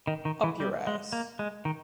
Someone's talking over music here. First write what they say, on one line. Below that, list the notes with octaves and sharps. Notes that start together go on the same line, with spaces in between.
Up your ass!
D#3
D#3
E3
G3
G#3
A#3
G#3
D#3